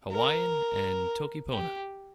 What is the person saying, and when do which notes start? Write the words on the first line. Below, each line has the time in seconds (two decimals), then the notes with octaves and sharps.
Hawaiian and Toki Pona.
0.12 A#4
1.53 G4